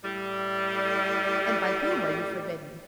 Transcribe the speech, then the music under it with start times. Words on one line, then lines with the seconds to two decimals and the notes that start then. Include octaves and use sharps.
"And by whom are you forbidden?"
0.04 A2 G3